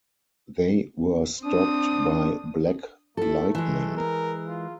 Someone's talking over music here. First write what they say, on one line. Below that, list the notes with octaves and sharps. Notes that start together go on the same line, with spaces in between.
They were stopped by Black Lightning.
C4 D4 D#6
A3 E4 A4
E3 G#3
A#4
F4